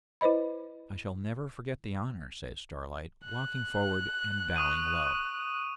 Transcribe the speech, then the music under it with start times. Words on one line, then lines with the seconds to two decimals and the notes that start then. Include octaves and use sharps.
'I shall never forget the honour,' says Starlight, walking forward and bowing low.
0.21 E4 B4 C5 D#5 B5
3.25 F#6
4.56 C#6 D#6 D#7